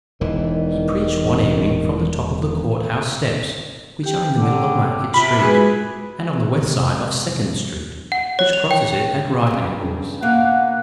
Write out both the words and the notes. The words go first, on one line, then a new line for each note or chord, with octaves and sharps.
He preached one evening from the top of the court house steps, which are in the middle of Market street, and on the west side of Second street, which crosses it at right angles.
E1 D#3 E3
G4 G5
D3 G5 D6
C3 F4 B5
G#3 F#4 G#4 B4
C3 G#3
F#5
C#5
F7
G5
G2 C#3
B2 A#3 F5 F#5